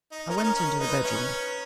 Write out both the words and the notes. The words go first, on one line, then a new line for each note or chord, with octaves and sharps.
I went into the bedroom.
D#4
C#4 A#4
D#4
C#4
C#4 A#4
D#4 B4
C#4 B4